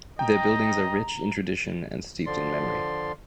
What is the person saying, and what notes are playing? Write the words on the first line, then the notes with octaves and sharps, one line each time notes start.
Their buildings are rich in tradition and steeped in memory.
D#5 G5 A#5
D3 F3 D5 C6